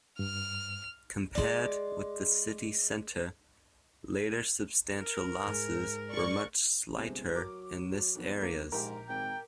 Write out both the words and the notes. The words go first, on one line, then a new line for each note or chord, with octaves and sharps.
Compared with the city centre, later substantial losses were much slighter in this areas.
G2 F6
G#3 D5
A#4
G#2
D5 C#6
G1 C3 G#3 C4
F#3 A#4 D6
F2 D#3 B3
E1 A#3
A#1 G#2 G4 A#4
G#1 G5